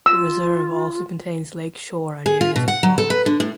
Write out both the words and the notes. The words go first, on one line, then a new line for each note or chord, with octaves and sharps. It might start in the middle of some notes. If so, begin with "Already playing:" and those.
The reserve also contains lake shore and areas of bog.
F4 E6
G#4
F4
B2
F#5
F#3
A4
B4
D3
A2